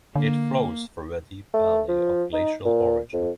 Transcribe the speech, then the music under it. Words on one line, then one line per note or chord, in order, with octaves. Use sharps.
It flows through a deep valley of glacial origin.
D3 A#3
A3
F3
D#4
A#2
F2